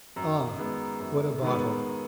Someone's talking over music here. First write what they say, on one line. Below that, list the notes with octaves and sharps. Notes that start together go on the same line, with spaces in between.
Ah! what a bottle!
F#2
D#3 G#3 B3
F#2
D#3 G#3 B3